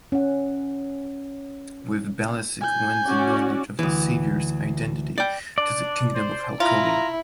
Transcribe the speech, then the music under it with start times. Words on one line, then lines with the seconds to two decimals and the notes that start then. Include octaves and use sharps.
With Balasik went the knowledge of the savior's identity to the kingdom of Halconia.
0.12 C#4 F#5
2.61 G#5 G6
3.07 C#4 F#4 D5
3.79 D2 E3
5.18 D5 G5
5.58 D4 D5
6.14 C5
6.60 E4 F4 A#5